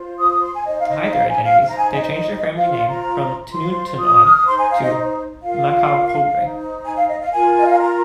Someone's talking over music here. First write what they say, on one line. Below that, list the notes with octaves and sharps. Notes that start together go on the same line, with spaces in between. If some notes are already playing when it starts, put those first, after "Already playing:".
To hide their identities, they changed their family name from Tanudtanod to Macapobre.
Already playing: F4 C5
D#6
D#6
C6
G#5
D#4 C5 D#5
F5
D#5
D#5
F5
G#5
F5
D#4 C5 F5
A#5
G#5
D#5
D#5
F4 C5 F5
F5
A#5
F4 C5 C6
D#6
F6
D#6
D#4 C5 C6
G#5
F5
D#5
F4 A#4 F5
D#4 C5
G#5
F5
D#5
F5
F4 A#4 G#5
D#5
F5
G#5
A#5